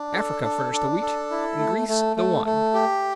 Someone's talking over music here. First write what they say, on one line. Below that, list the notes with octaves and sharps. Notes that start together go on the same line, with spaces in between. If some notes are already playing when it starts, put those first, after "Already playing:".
Africa furnished the wheat, and Greece the wine.
Already playing: D4
A4
D4
D4
A4
E4
A3
A3
A3
A3
G4